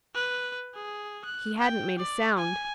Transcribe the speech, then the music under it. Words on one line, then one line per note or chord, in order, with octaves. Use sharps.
He hadn't made a sound.
B4
G#4
F#6
G5
D5
G#5